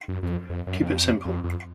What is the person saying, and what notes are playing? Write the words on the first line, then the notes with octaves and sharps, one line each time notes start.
Keep it simple.
F#2
F2
F2
F#2
F2
F2
F2